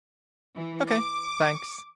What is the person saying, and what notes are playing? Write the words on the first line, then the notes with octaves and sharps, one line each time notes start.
Ok, thanks.
E3
D6